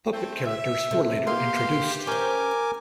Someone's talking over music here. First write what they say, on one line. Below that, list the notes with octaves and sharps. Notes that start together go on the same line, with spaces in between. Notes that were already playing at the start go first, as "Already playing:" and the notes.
Puppet characters were later introduced.
A3 C4
E5
C3 A4
E3 A#3 B3 G4 F5 C6
C#4 A#4 C5 G#5 D6